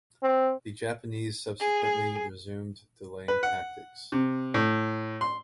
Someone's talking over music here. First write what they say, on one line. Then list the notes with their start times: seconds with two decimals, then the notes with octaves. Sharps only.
The Japanese subsequently resumed delaying tactics.
0.23 C4
1.60 G#4
3.28 B4
3.43 F#5
4.12 C3
4.54 A2
5.21 C6